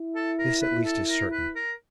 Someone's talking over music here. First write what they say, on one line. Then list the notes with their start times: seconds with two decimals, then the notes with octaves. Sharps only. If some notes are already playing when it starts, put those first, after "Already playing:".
This at least is certain.
Already playing: E4
0.15 A4
0.39 A#4
0.61 B4
0.85 A4
1.08 A#4
1.32 B4
1.55 A#4